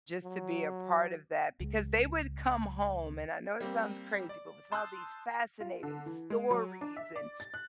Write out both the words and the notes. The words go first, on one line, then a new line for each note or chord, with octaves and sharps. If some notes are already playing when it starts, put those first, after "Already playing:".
Just to be a part of that because they would come home- and I know it sounds crazy- but with all these fascinating stories, and
F#3
C#2 G#3
G3 A#3 C4
D5
A5 C6 D#6 E6 F#6 G6
F4
D3
E3
G#3
F#3
D4
E5
D5
A6
F#6